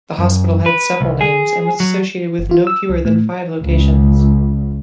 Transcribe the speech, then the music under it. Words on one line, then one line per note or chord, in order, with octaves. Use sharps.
The hospital had several names and was associated with no fewer than five locations.
F#2
B4
C2
G#4
F#3
G1
F4
E6
C2
A2
C#2